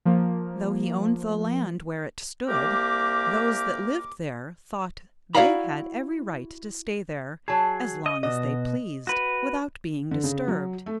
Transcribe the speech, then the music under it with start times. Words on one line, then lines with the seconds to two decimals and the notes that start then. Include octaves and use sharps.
Though he owned the land where it stood, those that lived there thought they had every right to stay there as long as they pleased, without being disturbed.
0.05 F3 A#3
2.48 C2 A#3 G4 A#4 D6
5.35 E4 F#4 D5 F5 A#5 B5
7.48 F#3 G#4 A5
8.06 D#5
8.23 B2 F#4 D#5
9.07 F#4 B4
10.11 D3
10.24 C#3
10.48 F#3
10.86 A3